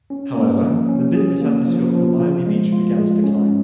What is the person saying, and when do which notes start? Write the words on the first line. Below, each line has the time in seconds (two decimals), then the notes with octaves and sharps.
However, the business atmosphere for Miami Beach began to decline.
0.10 C#4
0.36 A#3
0.63 F3
0.89 C#4
1.15 G#4
1.41 A#3
1.68 F3
1.94 F3
2.20 F4
2.46 G#3
2.72 F4
2.98 G#3
3.24 C#4